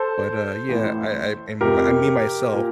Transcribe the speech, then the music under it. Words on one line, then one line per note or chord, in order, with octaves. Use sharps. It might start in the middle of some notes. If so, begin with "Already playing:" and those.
But, uh, yeah, I I I mean I mean, myself?
Already playing: A4 C5
A1 A2
F1 F2 C3 G4 A#4
A#2